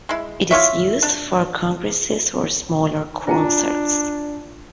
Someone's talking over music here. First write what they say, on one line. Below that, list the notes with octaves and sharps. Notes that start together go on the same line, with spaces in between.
It is used for congresses or smaller concerts.
G#3 E4
E4 F4 C#5 E5
D4
D4 F4 G#5 A#5